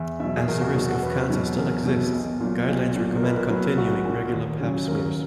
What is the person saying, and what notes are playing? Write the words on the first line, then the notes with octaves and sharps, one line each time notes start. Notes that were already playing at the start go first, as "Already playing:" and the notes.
As a risk of cancer still exists, guidelines recommend continuing regular Pap smears.
Already playing: E2 E5
B2 F#3 E5
G#4
E2 A#4
F#4
B2 F#3 G#4
F#5
E2 B4
B2 F#3
E2 A#4
B2 F#3
B1
A#2 F#3
B1
A#2 F#3
A#4
B1 B4
A#4
A#2 F#3 B4
A#4
B1 F#4
A#2 F#3
D#2
C#3 F#3
D#2 A#4